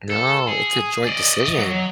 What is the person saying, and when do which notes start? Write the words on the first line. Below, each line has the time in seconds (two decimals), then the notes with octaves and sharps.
No. It's a joint decision.
0.10 A4
0.47 G#4
1.03 D5 D#5
1.58 F#3